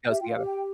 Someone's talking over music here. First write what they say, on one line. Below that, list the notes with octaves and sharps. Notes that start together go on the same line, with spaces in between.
goes together.
G4 E5
F4 G5
F5
G4
G5